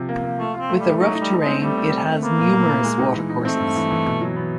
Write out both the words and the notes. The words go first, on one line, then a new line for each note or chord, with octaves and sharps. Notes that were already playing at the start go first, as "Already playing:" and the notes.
With a rough terrain, it has numerous water courses.
Already playing: C3 F3
A#3
A#3
A3 F4
F4
C4
A3
G3
A3
F#3 D#4
D#4
G3
D#4
G#3
C4
G3 A3
C4
C4
A3
A#3 B3
A#2
A#2
E4
G#3
D#4
E3
D#4
A3 C4
G2
E3
E3
B2
F#3
B3